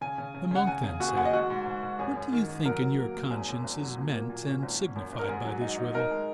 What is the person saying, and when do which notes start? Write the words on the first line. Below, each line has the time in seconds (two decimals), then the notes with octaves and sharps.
The monk then said, What do you think in your conscience is meant and signified by this riddle?
0.01 C#3 G#5
0.18 C#3
0.34 C#3
0.51 C#3 F#5
0.67 C#3 G#5
0.84 C#3 G#4
1.00 D#2 F#4
1.09 G#4
1.17 D#2 F#5
1.25 D#5
1.33 G#2 F#4
1.50 G#2
1.66 G#2
1.83 G#2
1.99 F#2 G#4
2.16 F#2
2.32 D#3
2.48 D#3
2.65 F#3 A#4
2.82 F#3
2.98 A#3
3.15 A#3
3.31 G#1 G#4
3.48 F#2
3.64 G#1
3.81 F#3
3.97 A#2
4.13 A#3
4.30 A#2
4.46 C#4
4.63 G#1
4.79 G#1
4.96 F#2
5.12 G#1
5.19 A#4
5.29 G#2 G#4
5.45 F#3
5.61 D#4
5.78 D#4
5.95 D#4 A#4
6.11 G#3